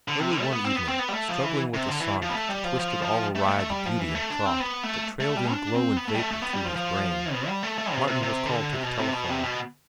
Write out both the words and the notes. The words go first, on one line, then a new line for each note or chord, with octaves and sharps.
Early one evening, struggling with a sonnet that twisted all awry the beauty and thought that trailed in glow and vapor through his brain, Martin was called to the telephone.
D3
C3
D3
A3
B3
C4
B3
C4
B3
G3
A3
F3
E3
C3
D3
E3
F3
B3
A3
G3
F3
F3
F3
A3
A3
A3
G3
F3
E3
A3
D4
C4
B3
A3
A3
G3
D4
C4
B3
A3
G3
A3
A3
B3
G3
F3
F3
B2
G3
A3
A3
C3
C3
C3
D3
C3
B2
C3
B2
C3
B2